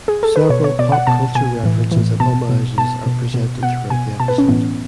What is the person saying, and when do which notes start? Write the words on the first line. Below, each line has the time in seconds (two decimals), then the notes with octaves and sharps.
Several pop culture references and homages are presented throughout the episode.
0.08 G#4
0.23 A4
0.36 B4
0.50 B2 C#5
0.64 C#5
0.79 B2 D5
0.92 F#5
1.07 B2 A5
1.35 B2 G#5
1.64 A2 E3
1.92 A2 E3
2.20 B2 A5
2.50 B2
2.78 B2 A5
3.06 B2
3.34 B2
3.63 B2 F#5
3.90 B2 G#5
4.20 B2 A5
4.28 B4
4.38 C#4
4.48 A2 E3 B3